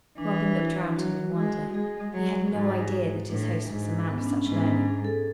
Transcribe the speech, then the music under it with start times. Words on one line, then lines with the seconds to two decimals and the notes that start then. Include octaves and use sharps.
Robin looked round him in wonder: he had no idea that his host was a man of such learning.
0.18 E3 D4
0.58 E4
0.96 F#3 F#4
1.36 G#3
1.74 G#3 G#4
2.13 F#3
2.52 G#2 F#4
3.29 A2 D4
3.69 G#2
4.08 B3
4.18 C#4
4.27 D4
4.37 C#4
4.47 G#2 B3
4.66 C#4
4.86 G#4
5.05 A4